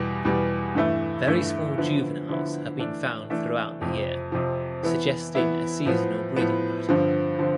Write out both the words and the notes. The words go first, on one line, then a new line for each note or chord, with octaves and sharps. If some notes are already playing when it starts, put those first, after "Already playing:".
Very small juveniles have been found throughout the year, suggesting a seasonal breeding pattern.
Already playing: E2 B2 G3
E2 B2 G3
G2 E3 A3 E4
G2 E3 A3 E4
D3 F3 B3 E4
D3 F3 B3 E4
E3 A3 D4
E3 A3 D4
F2 C3 F3
F2 C3 F3
E3 B3 E4
E3 B3 E4
A2 F3 B3
A2 F3 B3
G2 D3 F3 C4
D3 F3 C4